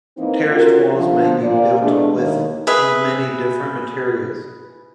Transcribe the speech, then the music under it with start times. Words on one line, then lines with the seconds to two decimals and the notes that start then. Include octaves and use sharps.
Terraced walls may be built with many different materials.
0.18 E3 A#3 C4 D#4
0.49 C#4 F4 F#4 A#4
0.94 D3 F3
1.43 A#2 D5
1.82 E2 G#3 A3 D4 G#4
2.17 D#2
2.67 G#4 B4 E5